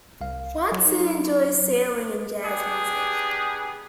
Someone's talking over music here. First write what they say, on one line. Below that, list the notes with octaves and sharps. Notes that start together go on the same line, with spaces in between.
Watson enjoys sailing and jazz music.
C2 F5
F#3
D#4
B3 D4 G4 G#4